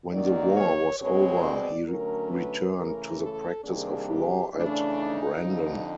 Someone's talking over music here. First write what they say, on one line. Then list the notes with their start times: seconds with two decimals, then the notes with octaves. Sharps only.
When the war was over, he returned to the practice of law at Brandon.
0.12 D#3 F#3 A#3 D#4 D5
0.56 C#5
0.99 B2 G#3 C4 C#5
1.44 D5
1.88 D3 F#3 A3 C#4 A#4
2.32 B4
2.76 C#3 E3 A3 C#4 A#4
3.21 A4
3.64 C3 D#3 G3 A#3 D4 G#4
4.09 G4
4.52 C#3 E3 A3 D4
4.97 D#4
5.40 F2 D3 F3